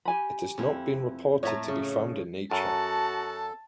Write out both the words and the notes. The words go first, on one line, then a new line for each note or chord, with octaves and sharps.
It has not been reported to be found in nature.
G4 G#5 B5
F2 E4
A2 A3 C#5 E5 A#5
C#3
F#2 F#4 A4 A5